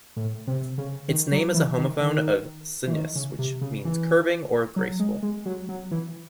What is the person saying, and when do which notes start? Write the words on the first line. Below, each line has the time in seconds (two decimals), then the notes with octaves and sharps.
Its name is a homophone of sinuous, which means curving, or graceful.
0.16 A2
0.47 C3
0.78 C#3
1.08 D#3
1.32 F#3
1.54 E3
1.78 D#3
2.00 D#3
2.87 E3
2.93 D#3
3.16 C#3
3.39 C3
3.61 C#3
3.85 E3
4.76 F#3
5.00 G#3
5.23 G#3
5.46 F#3
5.69 F#3
5.91 E3